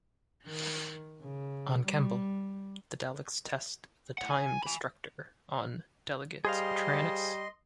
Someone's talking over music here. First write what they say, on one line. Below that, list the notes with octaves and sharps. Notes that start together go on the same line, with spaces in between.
On Kembel, the Daleks test the Time Destructor on delegate Trantis.
D#3
C#3
G3
A2 F#5
G#5
G#5 B5
G3 G#4 C5 D#5 F5 C6